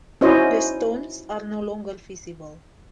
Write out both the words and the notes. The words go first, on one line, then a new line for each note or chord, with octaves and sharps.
The stones are no longer visible.
C#4 D#4 E4 F#4 C5 D#5